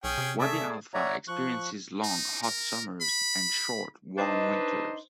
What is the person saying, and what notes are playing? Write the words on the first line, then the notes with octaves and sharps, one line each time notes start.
Wadi Halfa experiences long, hot summers and short, warm winters.
B1 C#4 G#4 G5
C3
A3 G#4 D5 E5
C#5 D5 E5 F#5 A#5
F3 C#6 F#6
D#4
A#4
B5
D4 D#4 B4 C5 D#5